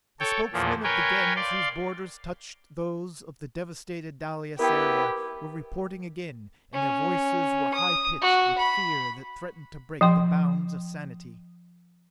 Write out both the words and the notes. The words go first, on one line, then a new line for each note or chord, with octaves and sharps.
The Spokesmen of the Gens whose borders touched those of the devasted Dalis area, were reporting again, and their voices were high pitched with fear that threatened to break the bounds of sanity.
A4 C#5 G5
E2 A#2 F3
A#4 B4 C#5 G5 G#5
D5 F5 C6
B3 E4 G4 A#4 B4 G5
C#4
D#6
F#4
B5
F3 G5 C6